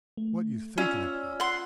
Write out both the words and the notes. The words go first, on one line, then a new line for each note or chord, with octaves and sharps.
What you thinking about?
A3
C#4 F4 D5 E6
F#5 C6